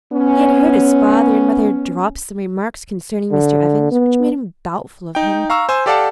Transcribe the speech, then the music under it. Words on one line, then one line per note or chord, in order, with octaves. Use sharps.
He had heard his father and mother drop some remarks concerning Mr. Evans which made him doubtful of him.
B3 C#4
D3
B3
D#4 G5
F5 A#5 C#6 E6
C5 G#5 E6
G4 A4 D5 F5 F#5 A5